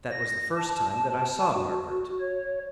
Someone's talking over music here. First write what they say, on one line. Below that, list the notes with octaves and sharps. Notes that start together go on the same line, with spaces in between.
That was the first time that I saw Margaret.
A#6
A5
F#4
C#5